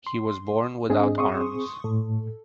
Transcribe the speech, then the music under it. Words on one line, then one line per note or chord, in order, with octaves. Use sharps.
He was born without arms.
C6
G#2 C4 D4 G#4 D#5
C6 C#6 D#6
A2 A4